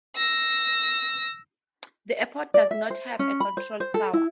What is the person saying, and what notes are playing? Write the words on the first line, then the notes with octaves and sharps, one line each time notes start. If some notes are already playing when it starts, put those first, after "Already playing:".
The airport does not have a control tower.
E6 A#6
D5
E5
C5
C#4
B5
C5
C5
A4
E4